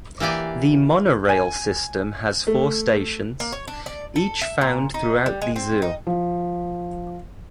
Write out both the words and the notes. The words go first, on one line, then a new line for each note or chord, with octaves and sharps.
The monorail system has four stations, each found throughout the zoo.
E3 A#3 G4 D5 G#5
G#5
A3
A#3
C#5
D4
D5
A4
E5
A#2
D#4
G3
G#3
C4
D#4
F3